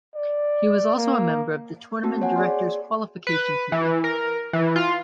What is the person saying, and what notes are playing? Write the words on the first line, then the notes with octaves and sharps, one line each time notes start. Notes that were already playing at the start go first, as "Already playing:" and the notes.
He was also a member of the Tournament Directors Qualification Committee.
D5
A#3
A#3 C4 F#4 A5
C#5 F#5 G#5
G#4 D5 C6
B4
E3
A#4
E3
F4